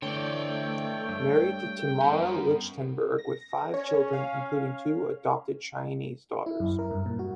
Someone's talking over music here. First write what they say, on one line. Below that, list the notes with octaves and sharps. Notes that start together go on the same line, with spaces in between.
Married to Tamara Lichtenberg with five children, including two adopted Chinese daughters.
D3 E3 A3 C#5 D5 G5
G2
B3 C#4 A#4
A#6
C#4 C#5
F5
E4
F#2
A#4
G2
A#2
F#4